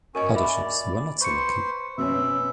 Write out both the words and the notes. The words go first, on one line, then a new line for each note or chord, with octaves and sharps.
Other ships were not so lucky.
C#4 F#4 A#4 D#5 G#5
D5 E5 B5
B4 C5 C#6 C#7
B2 B3 C#4 E5